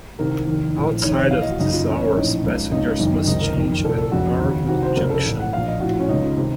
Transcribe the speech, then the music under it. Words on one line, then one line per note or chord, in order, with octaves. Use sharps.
Outside of these hours passengers must change at Norwood Junction.
C2 C3 D#3 A#4
F1 D#2 D#3
A#1 A2
F1 D#2 D#3 C#5
C#5
A1 A2 F5
D#5
F#4
F#1 F#2 C#3 D#4
F4
A1 A2 C#4
C#4
A#1 A2 D#4
C#2 C#3
C#2 C#3 D#4
F#1 F#2 D#3
C#2 C3 D#3 D#4
A#4
F#1 F2 D#3
C2 A#2 A4
A4
F1 F2 C#3 F#4
D#2 C#3
C2 C3 D#3 F#4
C5
F1 F2 C#3 A#4
A4
A1 A2
F#5
A#1 A#2 F5
D#5
A#1 A2 F#4
F4
C#4
C#2 C#3 D#4
F4
C3 D#3